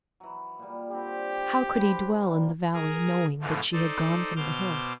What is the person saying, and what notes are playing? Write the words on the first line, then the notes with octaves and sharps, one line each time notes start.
How could he dwell in the valley knowing that she had gone from the hill?
E3 F#3
A#2 G3
D3 G3 C4 G4
B4 C5 A5
F3 G3 A#3
G#4 A#4
G#2 B2 D3 E3 F3 A3
D#4 A4 C5 D5
B2 C5 D6 F6 G6